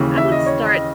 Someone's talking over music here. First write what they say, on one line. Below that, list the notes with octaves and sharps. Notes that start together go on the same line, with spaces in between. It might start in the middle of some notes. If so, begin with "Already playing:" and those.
I would start
Already playing: D#2 C#3 E3
E5
D#5
C#5
D#5